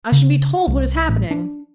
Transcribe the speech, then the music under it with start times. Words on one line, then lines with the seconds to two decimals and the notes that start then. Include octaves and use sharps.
"I should be told what is happening."
0.12 C#3
0.68 C2
1.09 A1
1.31 D4